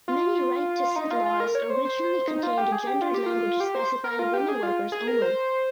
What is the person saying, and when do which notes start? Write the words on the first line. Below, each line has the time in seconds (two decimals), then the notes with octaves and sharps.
Many right to sit laws originally contained gendered language specifying women workers only.
0.08 F4
0.96 D#4
1.11 F4
1.25 F4
1.40 A#4
1.55 C#5
1.70 C5
1.85 C5
2.28 D#4
2.43 F4
2.58 G4
2.72 G#4
2.87 G4
3.02 F4
3.14 G4
3.26 F4
3.60 G4
3.75 C5
4.04 A#4
4.19 F4
4.34 G4
4.48 G#4
4.63 F4
4.92 G#4
5.08 A#4
5.22 C5